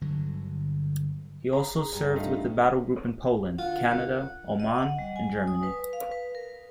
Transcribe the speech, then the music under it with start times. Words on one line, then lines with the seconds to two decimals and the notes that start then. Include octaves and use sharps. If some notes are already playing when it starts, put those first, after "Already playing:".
He also served with the Battle Group in Poland, Canada, Oman and Germany.
0.01 G1 D3 F#3
1.53 G#4 A#5
1.93 G2 G3
2.16 A3 D#4 F4
3.59 D3 A#3 F4 F#5
4.60 D#5
4.79 F#5
4.99 G3
5.16 G#5
5.48 D#6
5.63 B4
5.93 F5
6.11 B4
6.35 A#4